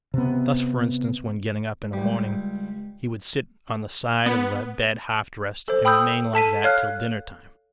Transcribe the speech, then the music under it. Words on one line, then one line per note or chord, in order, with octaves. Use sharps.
Thus, for instance, when getting up in a morning he would sit on the side of the bed half-dressed, and remain like that till dinner time.
C3 B3
C#2 G3
B3
A4 C5
G5 B5 D#6 E6 G6
A4 A5 B6 D#7
C#5 F5 F6 F#6